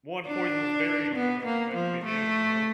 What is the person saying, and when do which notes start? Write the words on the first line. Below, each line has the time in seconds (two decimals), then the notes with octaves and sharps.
one poisonous berry, and tha that could be the end, you know?
0.26 D4
1.15 B3
1.45 A#3
1.75 F3
2.04 A3